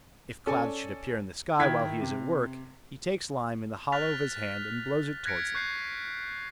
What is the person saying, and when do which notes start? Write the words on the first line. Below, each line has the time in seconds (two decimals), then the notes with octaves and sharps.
If clouds should appear in the sky while he is at work, he takes lime in the hollow of his hand and blows it towards them.
0.47 C#4 A4 D5 G#5
1.59 D#3 E4 G#6 B6
2.01 C3
3.92 F6 F#6 A6 B6 F7
5.25 F#6 G#6 A#6 B6 C#7 D7
5.55 C#6 F#6 G6 C7